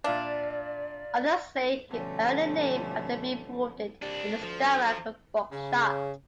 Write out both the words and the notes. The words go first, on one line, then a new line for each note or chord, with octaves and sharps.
Others say he earned the name after being wounded in the stomach with buckshot.
A#2 D4 D5 E5 F5
B2 D3 F3 G3 A3 C#4
C2 G3 D4
D2 F3
C#3